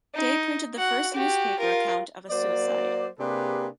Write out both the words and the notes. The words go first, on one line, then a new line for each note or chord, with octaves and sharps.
Day printed the first newspaper account of a suicide.
D#4
F#4 F#5
F#4 G4
F4 A#4
F#3 A#3 C5 D5
C3 A#3 D4 G4 G#4 B4